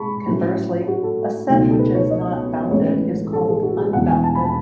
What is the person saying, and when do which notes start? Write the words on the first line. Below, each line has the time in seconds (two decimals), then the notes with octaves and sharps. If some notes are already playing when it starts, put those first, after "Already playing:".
Conversely, a set which is not bounded is called unbounded.
Already playing: G#2 G#4 A5 B5 C#6
0.26 A2 F#3 C#4 E4
0.88 F#4
1.03 A4
1.49 C#2 B2 F#3 A3 D#4
1.69 A4
1.79 B4
1.95 C#5
2.10 D#5
2.71 A1 A2 G#3 C#4 C#5
2.87 B4
3.33 A4
3.48 G#4
3.63 F#4
3.78 G#4
3.93 E1 E2 B2 F#5
4.09 G#5
4.24 A5
4.35 B5
4.45 A5